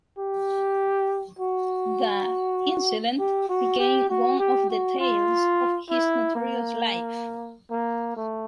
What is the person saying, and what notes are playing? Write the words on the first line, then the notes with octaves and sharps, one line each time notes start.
The incident became one of the tales of his notorious life.
G4
F#4
G4
F#4
G4
F#4
G4
F#4
F4
E4
A#3
A#3
A3